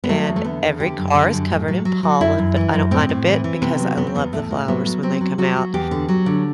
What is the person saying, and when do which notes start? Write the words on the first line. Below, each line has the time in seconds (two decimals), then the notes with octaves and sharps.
and every car is covered in pollen, but I don't mind a bit because I love the flowers when they come out.
0.04 B3
0.09 F#3 A3
0.27 E2
0.36 A3
0.44 D3 B3
0.62 E2
0.80 D3 G4
0.98 F#2
1.15 D3
1.33 F#2
1.50 A2
1.68 F#3
1.85 F#3
2.03 F#3
2.21 F#2 E4
2.38 F#2
2.56 E3
2.74 F#2
2.91 A2 C4
3.09 A2
3.27 E3
3.44 E3
3.62 C3 B3
3.80 F#3
3.97 E2 B3
4.07 C4
4.15 E2 B3
4.33 A2 A3
4.51 A2
4.68 F#3 B3
4.86 F#3
5.03 F#3 C4
5.21 F#3
5.38 F#3 F#4
5.56 F#3
5.74 E2 G4
5.91 D3
6.09 F#3
6.26 D3